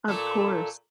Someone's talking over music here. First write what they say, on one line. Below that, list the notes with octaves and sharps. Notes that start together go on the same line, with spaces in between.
Of course.
A#2 A3 A4